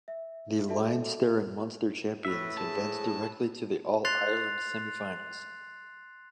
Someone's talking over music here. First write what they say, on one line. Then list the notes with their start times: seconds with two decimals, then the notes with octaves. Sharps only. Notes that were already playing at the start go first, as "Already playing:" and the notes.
The Leinster and Munster champions advanced directly to the All-Ireland semi-finals.
0.08 E5
0.69 F#4 A4 D5 E5 A5
2.25 A2 B4 E5
2.57 G#4 A5
4.05 C6 F#6 A6 C7 F7